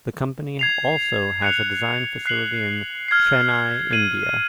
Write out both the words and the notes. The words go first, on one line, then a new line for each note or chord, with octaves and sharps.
The company also has a design facility in Chennai, India.
G#6 C7 F7
F#6 C#7 F7
F#6 C7 F#7
F6 G#6 C7
G#6 D#7 F#7